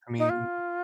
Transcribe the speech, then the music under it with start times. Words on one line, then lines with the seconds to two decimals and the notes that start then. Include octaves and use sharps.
I mean
0.18 D#4
0.30 F4